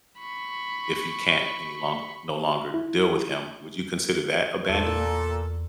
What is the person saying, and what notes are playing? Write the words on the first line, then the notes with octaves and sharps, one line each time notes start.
if you can't any longer no longer deal with him? Would you consider that abandonment?
B5 C#6
E4
E2 A#2 A4